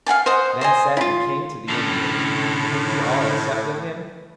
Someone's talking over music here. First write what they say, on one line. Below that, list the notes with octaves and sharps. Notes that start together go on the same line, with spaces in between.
Then said the King to the Emirs, "Do ye all accept of him?"
F5 F#5 G#5 A5
C5 D#5 F#5
C5 D#5 G#5
E4 F4
A2 D3 C#4